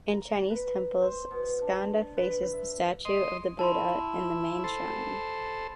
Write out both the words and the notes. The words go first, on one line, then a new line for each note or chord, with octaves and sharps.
In Chinese temples, Skanda faces the statue of the Buddha in the main shrine.
A#5
B4
C5
B2
D4
B4
E5
D#5 C6
E4 A5 B5 C6
A4 C5